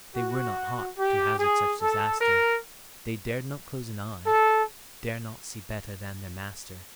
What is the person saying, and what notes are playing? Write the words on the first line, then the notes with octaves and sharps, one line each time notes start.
They were not hot To hazard such disaster; They dared not close an eye--dared not See better than their master.
F#4
G4
G#4
A4
A#4
A4